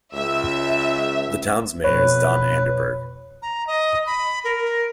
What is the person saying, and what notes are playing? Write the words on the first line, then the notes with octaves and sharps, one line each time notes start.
The town's mayor is Don Anderberg.
C#2 E5
F2 B2 B4 C#5
A#5
D#5
B5
A#4